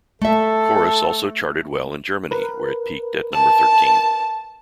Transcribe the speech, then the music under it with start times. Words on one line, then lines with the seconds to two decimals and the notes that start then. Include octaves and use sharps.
"Chorus" also charted well in Germany, where it peaked at number thirteen.
0.22 A3 A4 E5
2.31 A#4 B4
3.33 A5